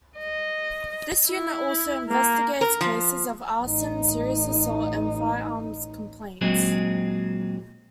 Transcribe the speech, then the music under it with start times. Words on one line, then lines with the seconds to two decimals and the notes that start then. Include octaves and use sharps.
This unit also investigates cases of arson, serious assault, and firearms complaints.
0.18 D#5
1.27 E4
2.09 A#3
2.61 A#4
2.81 F3
3.62 A1 D#4
6.41 A#2 F#3 G#3 C4 G#4